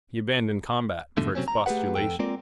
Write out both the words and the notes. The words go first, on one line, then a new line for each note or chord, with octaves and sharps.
He abandoned combat for expostulation.
F2 G#2 B2 D3 A3
C3 F#3 C4 C#4
A#5
A3 G4 G#4 B4 F#5
F2 A4 G5
G#3 A#3 C4 F4 A#4 D5